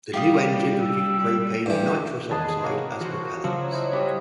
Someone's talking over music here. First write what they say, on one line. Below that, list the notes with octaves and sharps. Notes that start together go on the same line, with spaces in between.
The new engines would use propane and nitrous oxide as propellants.
G3 G4 F5 D#6
E6
G2 E3 G4
E2 D#3 G#4 B4 D#5 A5
C3 A#3 F#4 C#5
E3 F#4 C5
C#3 F3 F#3 C6 E6
E4 C5 D#5
G3 E4 C#5 D#6